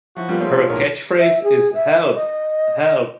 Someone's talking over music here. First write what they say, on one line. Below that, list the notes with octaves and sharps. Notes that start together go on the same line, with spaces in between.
Her catchphrase is Help, help!
F3 F#3 E4 F#4
G3 A#3 B3 F4
A3 C4 G#4 C#5
B1 A2 A#4 C#5
E5
G#4
E5
D#5